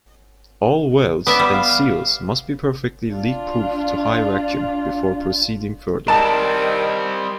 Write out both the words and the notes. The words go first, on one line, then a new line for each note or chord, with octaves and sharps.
All welds and seals must be perfectly leak-proof to high vacuum before proceeding further.
B3 D5 E5 B5
G3
F5
D4 F4
D#3 G3 C4 A5